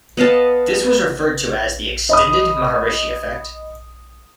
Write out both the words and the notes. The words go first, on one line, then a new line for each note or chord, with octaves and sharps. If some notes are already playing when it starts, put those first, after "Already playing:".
This was referred to as the "Extended Maharishi Effect".
B3 D#5 F5 A5
D#5 B5 D#6